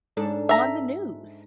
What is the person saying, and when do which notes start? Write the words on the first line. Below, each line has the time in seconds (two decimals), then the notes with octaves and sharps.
on the news.
0.17 G#2 D4 A4
0.49 E5 A#5